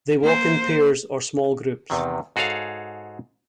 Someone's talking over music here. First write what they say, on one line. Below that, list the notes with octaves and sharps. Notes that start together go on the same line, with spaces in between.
They walk in pairs or small groups.
A#3 C5
E2 C3 D#3
G#2 F#4 G#4 A4 C#5 F5